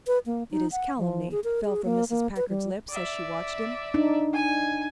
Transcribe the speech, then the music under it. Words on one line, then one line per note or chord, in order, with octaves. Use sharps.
"It is calumny," fell from Mrs. Packard's lips as she watched him.
B4
A#3
D#4
F#5
F3
G#4
A#4
G#4
A#3
A#3
B4
G3
D5 E5
D4 D#4
G#5